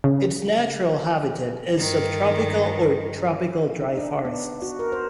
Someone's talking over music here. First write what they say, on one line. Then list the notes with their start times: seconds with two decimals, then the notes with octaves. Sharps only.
Its natural habitat is subtropical or tropical dry forests.
0.04 C#3
1.78 G2 D#3
3.80 D#4
3.97 D4
4.25 B3
4.62 F#4
4.79 A#4
4.92 C5